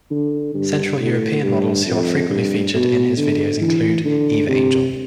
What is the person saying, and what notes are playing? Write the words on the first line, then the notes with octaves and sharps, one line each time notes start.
Central European models who are frequently featured in his videos include Eve Angel.
D3
G2
A2
G2
F2
G2
B2
D3
E3
D3
C3